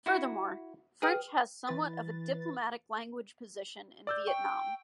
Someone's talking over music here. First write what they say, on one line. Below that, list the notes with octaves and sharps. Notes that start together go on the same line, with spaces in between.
Furthermore, French has somewhat of a diplomatic language position in Vietnam.
E4 F#4
G#4 B4 G5 F6
E3 B4 A6
D5 E6 G6
G5 C#6